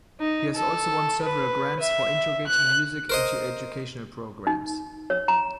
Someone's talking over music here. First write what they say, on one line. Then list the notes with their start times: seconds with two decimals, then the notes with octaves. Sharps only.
He has also won several grants for integrating music into education programs.
0.20 D#4
0.56 A4
1.22 B4
1.80 E5
2.48 F#6
3.10 A#4 C5 D#5
4.47 D#4
5.10 C#5
5.28 A#5